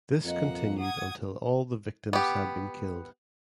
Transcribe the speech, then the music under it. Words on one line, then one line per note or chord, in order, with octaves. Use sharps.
This continued until all the victims had been killed.
F2 A#3 D#5 F#5
F#5 D#6 G#6
B3 G4